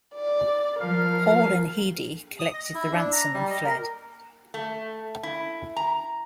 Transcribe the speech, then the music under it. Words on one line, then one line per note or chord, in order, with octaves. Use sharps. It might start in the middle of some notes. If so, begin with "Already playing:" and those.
Hall and Heady collected the ransom and fled.
D5
F3 A#4 F5
D#6
D#5
E4
D4
A#5
G3
D#5
A#4
A3
E4
A#5